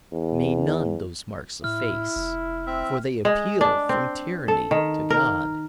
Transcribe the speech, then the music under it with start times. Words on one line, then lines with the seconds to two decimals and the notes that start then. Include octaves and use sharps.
May none those marks efface! For they appeal from tyranny to God.
0.14 E2
1.64 A2 E4 F6
2.16 F1
2.67 C4 E5
3.25 G#3
3.61 D4
3.89 C4
4.48 A4
4.71 D#3
5.10 A#4